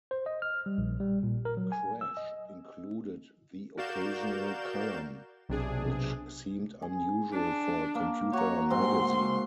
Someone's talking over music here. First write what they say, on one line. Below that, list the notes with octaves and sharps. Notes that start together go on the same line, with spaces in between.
"Crash" included the occasional column which seemed unusual for a computer magazine.
C5
D#5
F6
G3
A#1
G3
A#2
A#4
F#3
G#5
E6
D#5
F#4 A#4 D5 F5 G6 E7
B1 C3 D4 G#4
G#4
D4
A#3
F#4 C#5 A#5
G#2 C4 C6